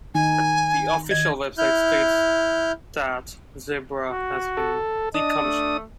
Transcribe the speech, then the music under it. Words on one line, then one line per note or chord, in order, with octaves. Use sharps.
The official website states that "Zebra has been decommissioned".
D#3 D#4 G#5
D#3 D#5 G#6
E4 F6 G6
F#4
A4
D4 D#5 D#6
A3